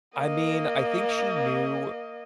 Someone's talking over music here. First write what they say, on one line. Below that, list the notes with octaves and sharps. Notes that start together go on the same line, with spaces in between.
I mean, I think she knew
A#3 D#5